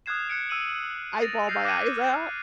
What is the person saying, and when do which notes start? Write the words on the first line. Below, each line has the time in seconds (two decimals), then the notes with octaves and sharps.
I bawl my eyes out.
0.06 D#6 F6 F#6 G#6 C7 E7
0.28 F#6 C#7 D7 E7
0.49 E6 D#7 F#7
1.22 A6 A#6 F7
1.47 F6 G6 A#6 C7 D#7 F7
1.65 D6 F#6 G#6 A#6 C#7 D#7